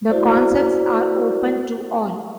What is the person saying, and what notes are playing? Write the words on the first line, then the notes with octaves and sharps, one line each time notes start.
The concerts are open to all.
E4 F#4 C5 D5